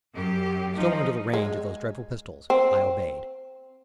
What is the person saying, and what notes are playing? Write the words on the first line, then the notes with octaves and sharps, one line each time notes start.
Still under the range of those dreadful pistols, I obeyed.
F#2 G4
F3 D#4
G#3
C4